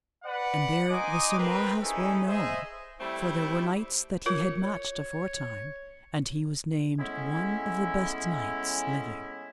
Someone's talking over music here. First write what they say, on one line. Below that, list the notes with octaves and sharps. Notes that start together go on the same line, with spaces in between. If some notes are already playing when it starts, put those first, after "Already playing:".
And there was Sir Marhaus well known, for there were knights that he had matched aforetime, and he was named one of the best knights living.
B4 D5 F#5
D#4 D#5 G#5 C6 D6
C4 A#4 B4
C#4 D#4 E4 G#4 A4
G#4 C5 D#5 E5
G3 A3 C4 E4
F4 A#4 C#5
C#5
A2 G#3 B3 C#4 E4